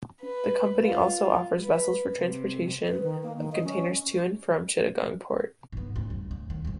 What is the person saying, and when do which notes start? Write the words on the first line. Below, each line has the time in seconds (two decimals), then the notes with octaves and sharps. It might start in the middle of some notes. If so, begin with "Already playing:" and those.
The company also offers vessels for transportation of containers to and from Chittagong Port.
0.22 B4
0.81 F4
1.61 B4
2.18 C3
2.87 B4
3.03 D#3
3.23 A#3
3.37 D#3
3.52 D#5
3.64 C#4
5.72 G#2 B3
5.96 D2 D3
6.10 G2
6.31 D2
6.50 D#3
6.65 F2 G#2